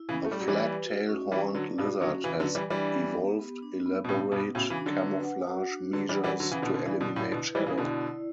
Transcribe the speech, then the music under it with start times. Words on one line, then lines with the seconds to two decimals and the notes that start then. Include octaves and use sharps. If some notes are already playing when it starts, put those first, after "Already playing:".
The flat-tail horned lizard has evolved elaborate camouflage measures to eliminate shadow.
Already playing: E4
0.09 C#3 E3
0.17 C#4
0.25 A3
0.32 G3
0.40 F#3 G4
0.48 E3 G3
0.63 B4
0.85 F#4
1.09 C#4
1.32 E3 G3 B4
1.55 D3 F#3 D5
1.78 G2 B2 F#4
2.01 D3 F#3 C#4
2.24 C#3 E3 B4
2.40 D3 F#3
2.47 D5
2.55 E3 G3
2.70 E3 G3 D4
2.93 B3
3.17 G4
3.40 B3
3.62 D4
3.86 B3
4.04 B2
4.08 A2 C#3 G4
4.32 G2 B2 B3
4.55 A2 C#3 F#4
4.70 C#3 E3
4.78 D4
4.86 D3 F#3
5.01 B4
5.24 F#5
5.47 F#4
5.70 D4
5.93 D3 F#3 B4
6.09 E3 G3
6.17 F#5
6.24 E3 G3
6.39 D3 F#3 B4
6.51 C#3 E3
6.62 B2 D3 E4
6.74 B2 D3
6.86 C#3 E3 D5
7.00 B2 D3
7.09 E4
7.16 A2 C#3
7.32 B2 D3 B4
7.55 E3 G3 E4
7.66 C#3 E3
7.78 B2 D3 D5
8.01 E4